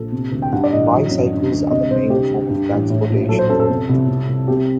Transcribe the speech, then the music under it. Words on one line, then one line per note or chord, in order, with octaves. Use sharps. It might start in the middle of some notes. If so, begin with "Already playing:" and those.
Bicycles are the main form of transportation.
Already playing: A#1 A4
C3
D2
G5
G2 F#5
D5
A1 D#5
F#3
F#2
D3
D2
C3 D#5
C2 C5
D3 G4
D2
G2
A1
A2
A#1
F#3 A4
C5
F#2 A4
A4
C3
C2
C3
C2
C3 G4